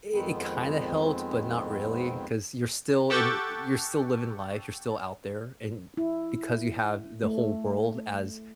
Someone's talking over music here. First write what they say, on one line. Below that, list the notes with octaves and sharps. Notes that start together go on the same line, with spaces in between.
it it kinda helped but not really 'cause you're still in you're still living life, you're still out there. And because you have the whole world as
F2 D#3 G#3 B3 C4
G4 A4 F#5 G5 C#6 A6
E4
A3